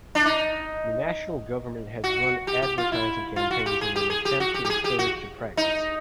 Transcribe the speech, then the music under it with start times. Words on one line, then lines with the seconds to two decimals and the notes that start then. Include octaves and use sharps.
The national government has run advertising campaigns in an attempt to discourage the practice.
0.15 D4
0.26 D#4
2.04 F#4
2.47 G4
2.62 G4
2.78 F4
2.92 E4
3.36 F4
3.51 F#4
3.66 G4
3.81 G#4
3.96 G4
4.10 G#4
4.25 G4
4.40 F#4
4.54 G4
4.65 G4
4.70 G#4
4.84 G4
4.99 F#4
5.57 D#4